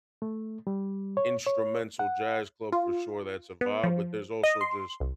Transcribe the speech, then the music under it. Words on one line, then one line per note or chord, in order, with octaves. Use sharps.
instrumental jazz club, for sure, that's a vibe, but there's also just
A3
G3
C#5
C#5
F#5
F4
B3
F3
D#5
C6
C2